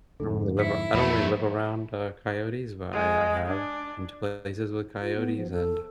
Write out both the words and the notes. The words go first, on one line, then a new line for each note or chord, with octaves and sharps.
I don't really live aroun I don't really live around, uh, coyotes, but I I have been to places with coyotes, and
F2 G#2 D3 A4
E4 B6 C#7
F2 E3 F#3 A3 A#3 B5
G#3
D4
F4
B3
F3
A4